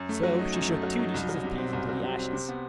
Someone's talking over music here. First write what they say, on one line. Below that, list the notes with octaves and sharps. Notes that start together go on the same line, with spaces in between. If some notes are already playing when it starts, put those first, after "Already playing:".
So she shook two dishes of peas into the ashes.
Already playing: F#2
A3
F#3
D#4
F#2
A3
F#3
D#4
C2
F#3
C3
C4
C2
F#3
C3
C4
C3
B3